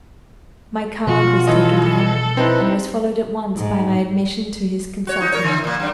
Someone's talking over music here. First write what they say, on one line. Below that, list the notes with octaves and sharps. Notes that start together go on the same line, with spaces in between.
My card was taken to him, and was followed at once by my admission to his consulting-room.
B2 F3 B3 F4 F#4
E3 A4 D#5
C4 D#4 E4 B4
G#2
F#4 C#5
D#4
A#4 C#5
D3
A#2 A#3
G2 D4